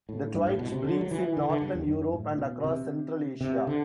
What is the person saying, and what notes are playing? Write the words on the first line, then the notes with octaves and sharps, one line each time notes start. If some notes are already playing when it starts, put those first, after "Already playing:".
The twite breeds in northern Europe and across central Asia.
A2
G2
A2
B2
C3
D3
F#3
E3
D3
D3
G2
E2
F#2
A2
B2
C3
C3
D3